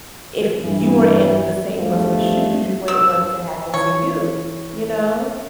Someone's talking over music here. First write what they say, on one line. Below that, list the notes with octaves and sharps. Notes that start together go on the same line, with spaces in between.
if you were in the same person's shoes, you wouldn't want it to happen to you, you know?
G2 E3
E2 G2 F3 G3 A3
E6
E3 C#5